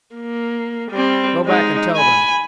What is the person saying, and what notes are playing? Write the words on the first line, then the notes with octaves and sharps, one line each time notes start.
Go back and tell them.
A#3
G3 C4
G#3 D#4
G#5 B5